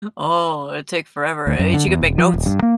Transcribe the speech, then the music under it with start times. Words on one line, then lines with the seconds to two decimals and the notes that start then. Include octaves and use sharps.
Oh, it take forever and she could make notes.
1.47 D2
1.59 F#2
1.74 D3
1.87 E2
2.01 E1
2.18 F3
2.34 D#1
2.46 G2
2.62 A#3